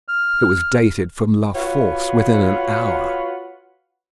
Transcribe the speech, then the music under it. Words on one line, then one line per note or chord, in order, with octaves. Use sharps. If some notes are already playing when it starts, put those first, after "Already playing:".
It was dated from La Force, within an hour.
F6
F4 F#4 B4 C#5 F#5